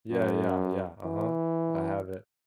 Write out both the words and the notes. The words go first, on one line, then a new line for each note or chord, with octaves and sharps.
Yeah, yeah, yeah, uh-huh. I have it
F#2
E3